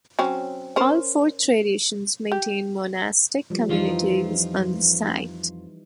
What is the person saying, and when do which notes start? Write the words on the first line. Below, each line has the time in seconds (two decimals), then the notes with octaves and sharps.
All four traditions maintain monastic communities on the site.
0.19 F#3 C4 C#4
0.76 C#4 A#4 C5
2.32 G4
3.50 F3 G3
3.69 F2 E3 F3 D#4 F4